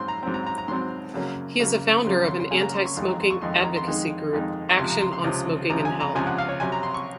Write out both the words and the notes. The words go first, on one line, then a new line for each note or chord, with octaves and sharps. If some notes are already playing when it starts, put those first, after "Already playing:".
He is the founder of an antismoking advocacy group, Action on Smoking and Health.
Already playing: G#2 F#3 C4 C6
A#5
G#2 F#3 C4
A#5
A#5
A#5
G#2 F#3 C4 C6
F#2 C#3 F#3 A#3 C#4
F#2 C#3 F#3 A#3 C#4
F#2 C#3 F#3 A#3 C#4 C6
C6
C6
C6
F#2 C#3 F#3 A#3 C#4 G#5
A#5
C6
C#6
F2 D#3 G#3 D#4 C6
A#5
C6
C#6
F2 D#3 G#3 D#4 C6
C6
A#5
C6
F2 D#3 G#3 D#4
F2 D#3 G#3 D#4
C#6
C#2 C3 F3 C6
A#5
C6
C6
C#2 C3 F3
C#2 C3 F3 A#5
G#5
A#5
C#2 C3 F3 G#5
F#5
F5
C#5
C3 F#3 C#4 G#5
A#5
C6
C#6